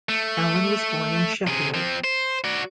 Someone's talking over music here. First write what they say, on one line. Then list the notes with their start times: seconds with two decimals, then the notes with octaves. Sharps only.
Allan was born in Sheffield.
0.09 A3
1.47 C3 G#4
1.74 F3 C4
2.04 C5
2.44 F#4 D5